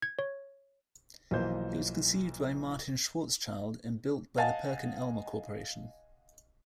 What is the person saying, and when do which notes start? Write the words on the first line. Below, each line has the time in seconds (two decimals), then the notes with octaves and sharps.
It was conceived by Martin Schwarzschild and built by the Perkin Elmer Corporation.
0.02 G#6
0.19 C#5
1.31 B1 E3 F3 A#3 C5 G6
4.37 D#5 F5 F#5 G#5 A5 A6